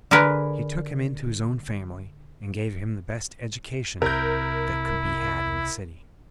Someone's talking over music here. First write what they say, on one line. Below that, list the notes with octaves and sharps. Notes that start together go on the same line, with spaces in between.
He took him into his own family, and gave him the best education that could be had in the city.
D3 G#4 A#4 B4
C2 C3 E4 A#4 G6